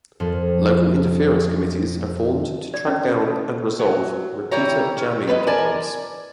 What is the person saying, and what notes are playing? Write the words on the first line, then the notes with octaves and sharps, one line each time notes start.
Local interference committees are formed to track down and resolve repeater jamming problems.
F2 F3
D5
C#4
A4
F#3
G3 E4 G4 C#5 A#5
C#4
D#2 B4 C#5 D#5
A#4 D5 G#5 A5